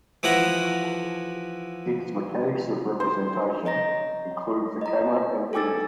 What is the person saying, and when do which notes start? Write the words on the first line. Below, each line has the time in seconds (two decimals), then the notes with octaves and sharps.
Its mechanics of representation include the camera and editing.
0.23 E3 F3 E4 F#5 A#5
3.00 C5
3.65 C#5 D#5 A#5 A#6
4.81 D#5 A#5
5.53 A4 G5 G#5 D6 E6 A6